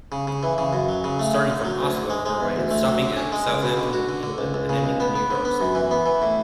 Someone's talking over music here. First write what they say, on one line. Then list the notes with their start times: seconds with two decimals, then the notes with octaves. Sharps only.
Starting from Oslo, Norway, stopping at Southampton, England, and ending in New York City.
0.12 C#3
0.27 C#3
0.43 E3
0.58 C#3
0.73 F#2
0.89 F#3
1.04 C#3
1.19 A3
1.34 D3
1.50 D3
1.65 F#3
1.80 D2
1.95 D3
2.10 G#3
2.26 G#3
2.40 E2
2.56 D2
2.71 A3
2.86 F#3
3.02 D3
3.16 C#4
3.32 G#3
3.48 C#2
3.63 B2
3.77 D3
3.93 F#4
4.09 D3
4.23 D3
4.38 C#2
4.54 C#2
4.69 C#3
4.84 C#2
5.00 B3
5.15 B3
5.31 D3
5.45 B3
5.61 F#2
5.75 E3
5.91 B3
6.06 E3
6.22 A2